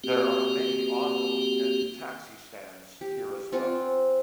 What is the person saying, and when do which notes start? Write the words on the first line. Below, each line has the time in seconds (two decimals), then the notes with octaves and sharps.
There are many auto and taxi stands here as well.
0.04 A#3 C4 F#4 G4
3.01 G4
3.52 C4 F4 F#5 G#5